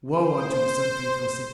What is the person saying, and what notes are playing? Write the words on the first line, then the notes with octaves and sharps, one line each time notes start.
Woe unto this unfaithful city!
C5